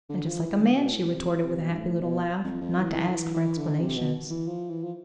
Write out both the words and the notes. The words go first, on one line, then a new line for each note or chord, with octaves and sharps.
"And just like a man," she retorted, with a happy little laugh, "not to ask for explanations."
D3
F3
E3
D3
B2
A2
C3
C3
B2
G2
A2
B2
F2
F2
E3
E3
D3
E3
E3
D3
C3
B2
E3
F3
E3
F3